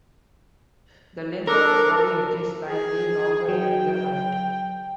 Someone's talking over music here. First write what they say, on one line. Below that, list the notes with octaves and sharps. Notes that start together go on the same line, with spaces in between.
The length of the body is just slightly longer than the height.
D4 A4 A#4
G#4
F#3 G5